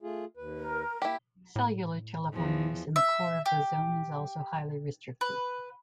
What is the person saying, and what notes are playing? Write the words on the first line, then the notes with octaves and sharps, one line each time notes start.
Cellular telephone use in the core of the zone is also highly restricted.
A3 F4 G#4
D#2 B4
A#4
A#3 E4 G4
A2
E2 F3
E5
G4
B4